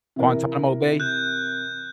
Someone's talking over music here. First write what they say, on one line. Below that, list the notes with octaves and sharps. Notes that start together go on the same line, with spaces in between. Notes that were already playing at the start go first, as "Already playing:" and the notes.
Guantanamo Bay?
C3 E3 A#4
F#6 G6